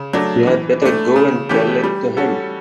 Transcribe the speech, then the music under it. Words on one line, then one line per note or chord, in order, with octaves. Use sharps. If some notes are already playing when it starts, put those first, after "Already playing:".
You had better go and tell it to him.
Already playing: C#3
F#3 A3 D4
E3
A3 D4
C#3
E3 A3 C#4 G4
G3
C#4 F#4 A4